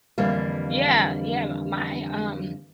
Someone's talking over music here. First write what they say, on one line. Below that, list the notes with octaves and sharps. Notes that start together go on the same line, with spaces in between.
Yeah, yeah, my, um
F2 D3 E3 G3 A#3